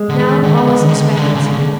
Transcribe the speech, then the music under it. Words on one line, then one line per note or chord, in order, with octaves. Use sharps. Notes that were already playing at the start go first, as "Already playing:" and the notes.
Now all was expectancy.
Already playing: G#3
D3
D#3
D3
D#3
D3
D#3
D3
D#3
D3
C#3
D3
C#3
D3